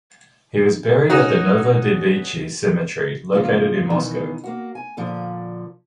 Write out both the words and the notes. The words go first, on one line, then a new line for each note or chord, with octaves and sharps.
He was buried at the Novodevichy Cemetery located in Moscow.
C#4 D#4 F#4
G#2 C#3 F3 A#3
B2 D#3 E3
A#3 F#4
G#5
A#2 D3 F3